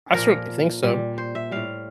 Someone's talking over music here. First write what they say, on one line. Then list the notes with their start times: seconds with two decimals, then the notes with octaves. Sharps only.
I certainly think so.
0.14 A#2 F3 A#4
0.83 A#2 G3
1.18 C5
1.35 E5
1.51 A2 G3 F5